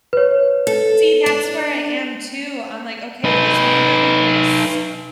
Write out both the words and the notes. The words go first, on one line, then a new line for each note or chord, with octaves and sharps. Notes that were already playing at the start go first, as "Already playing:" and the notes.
See, that's where I am too, I'm like, okay, is me having this
B4 C#5
A4
D4
D#4 B4